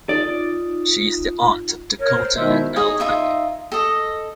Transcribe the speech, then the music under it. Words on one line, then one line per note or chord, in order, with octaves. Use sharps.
She is the aunt of Dakota and Elle Fanning.
D#4 F4 D5
A#4 C#5
C5
B2 D#3 G#3 E5
E4
D#4 G#4 C#5 D#5
D#4 F4 E5
A4 D#5